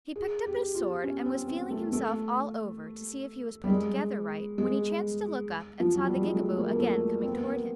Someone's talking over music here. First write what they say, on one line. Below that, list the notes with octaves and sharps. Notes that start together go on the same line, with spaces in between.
He picked up his sword, and was feeling himself all over to see if he was put together right, when he chanced to look up and saw the Gigaboo again coming toward him.
G#4
G4
F4
C#4
C4
C4
A3
A3
G3
G#3
G#3
F3
F#3
G3
G#3
A3
A#3
A#3
A3
C4
B3
A#3
B3